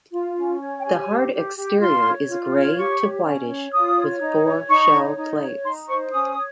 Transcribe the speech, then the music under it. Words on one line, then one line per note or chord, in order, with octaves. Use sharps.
The hard exterior is grey to whitish with four shell plates.
F4
C#4
C#5
G5
G4 G#5
G4
G4
G4
F4 C6
C#5
F4
C#5
G4 C#6
C#5
C#4
C#5
F4 D#6
C#5
D#4
C#5
D#4 C#6
C#5
D#4
C#5
D#4 C6
C5 C#6
C#4 D#6
C#5